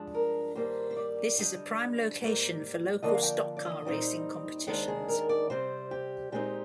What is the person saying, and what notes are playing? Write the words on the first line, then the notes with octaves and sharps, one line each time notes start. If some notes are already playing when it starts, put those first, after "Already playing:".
This is a prime location for local stock-car racing competitions.
Already playing: G2 F3 G#3 D4
A#4
G2 D#3 G3 A#3 C5
C5
D5
D3 G3 D4 D#5
G#2 G3 A#3
D3 F3 A#3 D4 D#5
F5
G5
D5
D#5
A#2 G3 C4 D#4
D#2 D#3 G#3 D4 C5
G#4
A#4
D5
C3 G3 C4 C5
G4
A#2 G#3 C4 D#4 G4